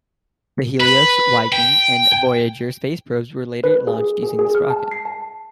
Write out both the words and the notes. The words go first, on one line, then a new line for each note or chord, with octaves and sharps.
The Helios, Viking and Voyager space probes were later launched using this rocket.
B4
G5
B4
G#4
G#4
G#4
F6
A5
C7
A5